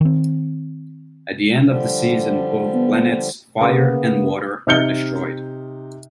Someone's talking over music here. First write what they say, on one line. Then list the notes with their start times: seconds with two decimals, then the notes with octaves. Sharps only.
At the end of the season both planets, Fire and Water, are destroyed.
0.01 D#3 C4
1.63 D3 F3 G3
2.74 B3
3.61 C#3 A#3 B3
4.67 C3 D#4 F6 G6 C#7 G7